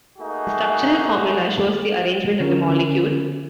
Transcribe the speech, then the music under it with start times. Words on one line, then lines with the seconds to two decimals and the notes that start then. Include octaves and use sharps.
The structural formula shows the arrangement of the molecule.
0.19 A3 A#3 D#4 F#4 G#4
2.40 D3 C#4 F4 A#4